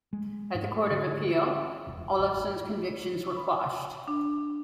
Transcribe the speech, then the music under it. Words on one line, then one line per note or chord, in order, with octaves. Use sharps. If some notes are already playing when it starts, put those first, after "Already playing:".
At the court of appeal, Olofsson's convictions were quashed.
G#3
G#2
D3
E1
G#1
B5
D4